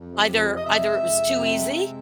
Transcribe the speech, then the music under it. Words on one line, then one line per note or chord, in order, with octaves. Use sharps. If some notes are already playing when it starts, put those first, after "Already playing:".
Either either it was too easy,
Already playing: F2
C3
F2
F2
D#5
C3 E5
G#3
F2
F2
C3
G#3
G#3